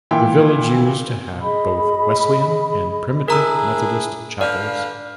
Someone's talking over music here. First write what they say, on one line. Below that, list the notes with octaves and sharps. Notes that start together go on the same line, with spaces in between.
The village used to have both Wesleyan and Primitive Methodist Chapels.
A#2 E3 E4 G5
G#4 D#5 B5
D4 E4 G#4 A#4 A#5 E6
D3 B4 D5 F5